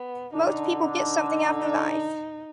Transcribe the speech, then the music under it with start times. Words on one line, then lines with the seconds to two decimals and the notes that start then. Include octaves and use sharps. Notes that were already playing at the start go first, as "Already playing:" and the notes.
Most people get something after life.
Already playing: B3
0.34 D3 D4 D#4
0.98 D#4